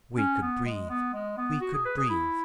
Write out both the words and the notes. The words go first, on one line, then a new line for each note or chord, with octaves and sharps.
We could breathe! We could breathe!
C#4
B3
G#3
B3
G#3
B3
F#4
G#4
B4
G#4
E4